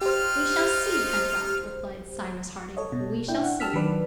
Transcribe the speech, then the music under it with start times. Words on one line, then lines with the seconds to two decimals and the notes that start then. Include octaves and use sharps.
"We shall see, Pencroft," replied Cyrus Harding; "we shall see."
0.01 D#4 F4 G4 C5 F6
2.77 A4 C#5 D#5
2.92 B2
3.28 D4 E4 G5
3.44 F#5
3.60 D4 G4 A5 E6 F6 B6
3.74 D#3 F#3 B4 D5